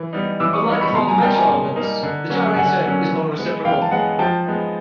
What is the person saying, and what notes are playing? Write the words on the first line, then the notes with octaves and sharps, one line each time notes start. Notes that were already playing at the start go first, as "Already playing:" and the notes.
Unlike the four conventional elements, the gyrator is non-reciprocal.
Already playing: E3
G3 B3 D#4
E3 D6 E6
C#6 D#6
G3 B3 D#4
B5 C#6
B2 A#5 C6
G#5 A#5
G3 A#3 D#4 G5 A5
G#5 A#5
B2
G3 A#3 D#4
D3
F#3 A#3 C#4
D3 F#5 G#5
F#3 A#3 C#4
E3
G#3 B3
E3 F5 G5
A5
G#3 B3 F#5 G#5
F3 G5 A5
G#3 B3 D#4